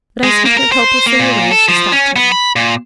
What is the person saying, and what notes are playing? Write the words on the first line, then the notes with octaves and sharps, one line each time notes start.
But as he turned hopelessly away, she stopped him.
G#3
A#3
A#4
C5
A#3
A#2
A4
F3
C#4
B3
B5
A#2